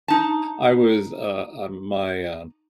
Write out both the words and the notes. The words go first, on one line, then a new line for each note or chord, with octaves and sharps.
I was, uh, uh, my uh,
D#4 A5